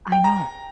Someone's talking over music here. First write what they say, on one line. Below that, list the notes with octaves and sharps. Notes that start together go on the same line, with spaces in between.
I know.
G5
A#5